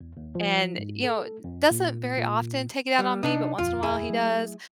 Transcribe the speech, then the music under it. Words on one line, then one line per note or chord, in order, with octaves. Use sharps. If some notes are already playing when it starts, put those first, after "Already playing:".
And, you know, doesn't very often take it out on me, but once in a while, he does.
E2
D#2
F3
G#2
A4
F2
A#2
A#2
G3
C3 D4 D#4
D#1 F2 F4
E4 G#4
F#3 A3